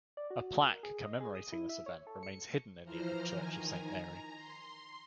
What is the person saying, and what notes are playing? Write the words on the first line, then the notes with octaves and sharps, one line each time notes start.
A plaque commemorating this event remains hidden in the old church of Saint Mary.
D5
F#4
A#4
G#4
D#5
G#4
D#6
E4
E5
C#5
A4
C#7
E3 F3 C5 A#5 F6
D#3 G#5 A#5
A#5
C6